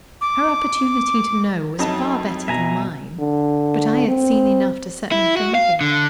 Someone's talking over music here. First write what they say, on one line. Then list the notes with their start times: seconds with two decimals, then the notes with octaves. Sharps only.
Her opportunity to know was far better than mine, but I had seen enough to set me thinking.
0.21 D6
1.79 F2 F#3 D#4 E4 D#5 A5
2.48 B2 E5 G#5 A#5
3.20 D3
4.08 C4
5.12 E4
5.37 F#4
5.55 F5
5.81 D3